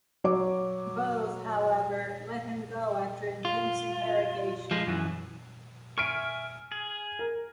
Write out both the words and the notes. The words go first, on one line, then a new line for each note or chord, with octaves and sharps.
Both, however, let him go after intense interrogation.
F#3 C#5 D6
F4
F3 G#3
F#2 E3
E5 G#5 C#6 F6 D7
G#4
A#4